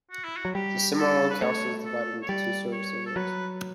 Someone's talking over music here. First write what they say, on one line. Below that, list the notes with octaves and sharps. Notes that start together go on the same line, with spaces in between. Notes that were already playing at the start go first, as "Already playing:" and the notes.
The Cimarron Council is divided into two service areas.
F#4
E4
F#4
F#3
G3 G4
A4
B4
A3 C#5
A4
C#5
G3 D5
C#5
A4
F#3 B4